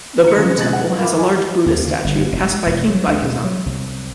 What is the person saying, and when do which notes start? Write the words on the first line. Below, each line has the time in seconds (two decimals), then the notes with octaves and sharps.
The bird temple has a large Buddha statue cast by King Baikezan.
0.24 A#5 C#7
0.36 C3 D#3 F3 F#3 C#4 D#4
0.58 B2 G#3 F#6 G#6 A6 F#7
0.73 F#5
0.98 F4 A#4 E5 F5 B5 D6
1.18 D#5 G#5 B5
1.66 D#2
1.84 C#3
2.04 G1
2.33 F1
2.45 G#3
2.66 E1
2.88 F#3
3.08 D2
3.23 B2
3.44 F#3
3.66 C2